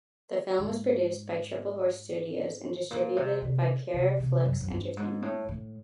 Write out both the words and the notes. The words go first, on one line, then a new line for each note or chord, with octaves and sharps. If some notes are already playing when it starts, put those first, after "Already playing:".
The film was produced by Triple Horse Studios and distributed by Pure Flix Entertainment.
G#2
A#2
C3
C3
C3
C3
F#2
F#2
G2
G#2
A2
A2